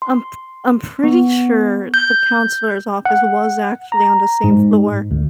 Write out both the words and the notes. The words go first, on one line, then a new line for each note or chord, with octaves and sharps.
I'm p I'm pretty sure the counselor's office was actually on the same floor
C6
B3
G6
F#5
A#5
G#2
D2